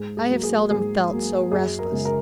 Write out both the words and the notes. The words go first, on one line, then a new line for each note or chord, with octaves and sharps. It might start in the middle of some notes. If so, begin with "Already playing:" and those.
I have seldom felt so restless.
Already playing: G#2 G#4
G#4
F#3 A#3
G#4
G#2 G#4
F#3 A#3
F#2 G#4
A#4
C#3 G#3
A#4